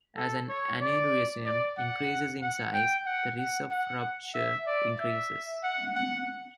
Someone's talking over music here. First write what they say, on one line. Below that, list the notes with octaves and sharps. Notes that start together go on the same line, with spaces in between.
As an aneurysm increases in size, the risk of rupture increases.
A4
C#5
D5
D5
F#5
F#5
G5
F#5
F#5
F#5
E5
D5
E5
F#5
F#5